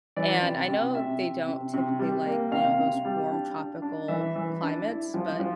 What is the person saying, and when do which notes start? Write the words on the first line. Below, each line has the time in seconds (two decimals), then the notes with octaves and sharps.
and I know they don't typically, like, you know, those warm tropical climates, but
0.16 E3 D5
0.42 C3
0.68 C3
0.95 C3 E5
1.21 C3
1.47 C3
1.74 C3
1.99 G3
2.26 A#3
2.51 C3 F5
2.79 C3
3.05 G3
3.30 D4
3.57 D4
3.82 D4
4.08 E3 E5
4.36 E3
4.62 D4
4.88 E4
5.14 F3
5.39 F3